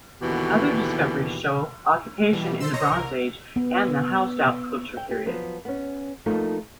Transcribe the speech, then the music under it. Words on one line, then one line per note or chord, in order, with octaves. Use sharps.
Other discoveries show occupation in the Bronze Age and the Hallstatt Culture period.
D#2 B2 D3 E3 F#4 G4
B2 E3 G3
A4 C5 C6 E6
C5 C#5 D#5 A#5
C2 A#4
B3
G5
G4
F3 F#3 B3
B3 C#4
F3 A3 A#3 D#4 F4